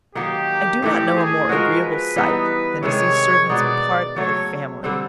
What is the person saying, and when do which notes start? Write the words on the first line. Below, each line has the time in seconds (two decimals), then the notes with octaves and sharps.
I do not know a more agreeable sight than to see servants part of a family.
0.15 D#3 F#3 A#3 D#4 G4
0.82 A2 E3 A3 D4 G4
1.15 G#4
1.49 F3 G#3 C#4 F#4 A#4
1.82 B4
2.16 E3 G3 B3 D#4
2.83 C3 D#3 G#3 C#5
3.49 B2 G#3 B3 D#4 D5
4.16 C#3 F#3 A3 C#5
4.84 D3 G3 C4